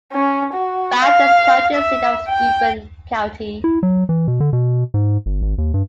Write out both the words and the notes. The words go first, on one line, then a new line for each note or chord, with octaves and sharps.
Bath is the county seat of Steuben County.
C#4
F#4
F5
E5
G5
E4
F#3
E3
B2
D3
B2
G#2
G1
G#1
D#2
G2